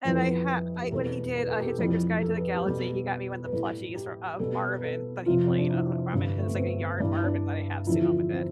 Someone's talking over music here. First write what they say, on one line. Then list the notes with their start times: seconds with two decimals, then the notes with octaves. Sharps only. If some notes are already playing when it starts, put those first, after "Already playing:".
And I ha I when he did, uh, Hitchhiker's Guide to the Galaxy, he got me one of the plushies fro of Marvin that he played. I don't know if I m it's, like, a yarn Marvin that I have sitting on my bed.
0.05 F2 E3 G3 B4
0.13 A4
0.21 B4
0.82 G4
0.91 E2 B2 G3 A4
1.35 B4
1.49 A4
1.60 G4
1.64 A4
1.78 F2 E3 G3
2.22 A4
2.37 B4
2.55 G4
2.65 B2 G3 A4
3.45 B4
3.52 A2 G3 A4
3.95 G4
4.39 B2 G3 A4
4.76 B4
4.83 A4
5.26 F2 C3 F3 F4
5.46 C4
5.58 D4
5.70 E4
6.13 G2 D3 G3
6.38 A3
6.47 B3
6.56 C4
7.00 G2 E3 G3 D4
7.12 E4
7.23 D4
7.86 E2 D3 F3 E4
8.02 F4
8.30 C4